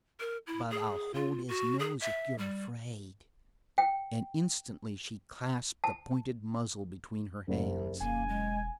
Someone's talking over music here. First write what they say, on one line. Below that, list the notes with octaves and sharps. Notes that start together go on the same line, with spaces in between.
"But I'll hold his nose if you're afraid." And instantly she clasped the pointed muzzle between her hands.
A#4
E4
G#4
F4
F#4
G#4
E5
G3
G5
A5
F#1 C2
E1 A#3 G#5
G#3